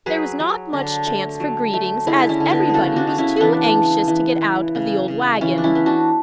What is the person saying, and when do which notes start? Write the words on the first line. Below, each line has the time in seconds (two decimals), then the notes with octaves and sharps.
There was not much chance for greetings as everybody was too anxious to get out of the old wagon.
0.06 F#3 G#4 B4
0.40 F#3
0.73 D3
1.06 A3
1.40 F#3
1.74 A3
2.07 D3 E4 G#4
2.29 C#4 E4
2.40 D3
2.52 B3
2.69 C#3 F#4 G#4 A4
2.96 D4 F#4
3.07 C#3
3.18 C#4 E4
3.40 E3 B3 D4
3.74 C#3
4.08 E3
4.41 E3
4.75 C#3
5.08 C#3
5.41 E3 C#4
5.58 D4
5.64 C#4 E4
5.75 B3
5.86 D4 F#4